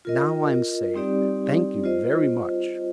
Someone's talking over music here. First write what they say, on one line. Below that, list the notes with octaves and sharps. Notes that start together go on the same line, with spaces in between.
'Now I'm safe; thank you very much.
F4 A#4 D#5
G3 C4 D#4 G4 D5
F4 C5 D#5